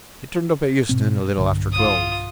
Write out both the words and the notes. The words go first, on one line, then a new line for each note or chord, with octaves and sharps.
He turned up at Euston, a little after twelve.
G#2 B2 C4
B1 G2 D3
F4 D#6